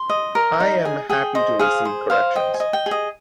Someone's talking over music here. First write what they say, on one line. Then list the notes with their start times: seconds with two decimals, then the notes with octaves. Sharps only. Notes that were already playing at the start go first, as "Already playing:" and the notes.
I am happy to receive corrections.
Already playing: C6
0.09 D#5
0.35 A#4
0.60 D#4
0.85 G#4 G#5
1.09 G#4 G5
1.35 C5 D#5
1.59 G#4 F5
1.85 C5
2.10 C5 F5
2.35 D#5 G5
2.54 G#5
2.60 D#5
2.73 G5
2.86 G#4
2.91 D#5